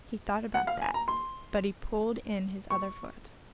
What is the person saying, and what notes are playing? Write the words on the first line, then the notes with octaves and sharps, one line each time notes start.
He thought about that, but he pulled in his other foot.
F#5
F5
G#5
A#5
C6
C#6